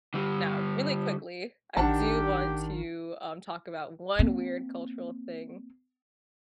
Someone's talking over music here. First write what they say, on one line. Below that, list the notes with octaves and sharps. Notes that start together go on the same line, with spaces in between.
Now, really quickly, I do want to, um, talk about one weird cultural thing
D3 G3
A1 D#3 D4 G4 F#5 A5
A#3 C4